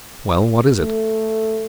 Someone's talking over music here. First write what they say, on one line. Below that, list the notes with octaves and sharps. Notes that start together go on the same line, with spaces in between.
"Well, what is it?"
A3